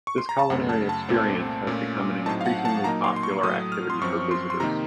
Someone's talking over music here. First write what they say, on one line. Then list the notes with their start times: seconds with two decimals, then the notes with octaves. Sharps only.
This culinary experience has become an increasingly popular activity for visitors.
0.07 C#6
0.18 C6
0.29 A#5
0.39 A5
0.50 F#2 C#3 A3 F#5
0.69 A5
0.89 A5
1.09 C2 A#2 A3 C4
1.67 A#2 A3 C#4 F4
2.26 A2 F#3 C4 D#4 A5
2.41 F5
2.46 F#5
2.65 A5
2.84 A#2 F#3 A#3 D#4 A#5
3.04 C6
3.16 C6
3.23 C#6
3.43 A2 F#3 A3 D#6
3.72 F6
3.90 C6
4.01 F#2 F3 C4 C#6
4.31 C6
4.50 C6
4.60 C3 D#3 A#3 D#4 A#5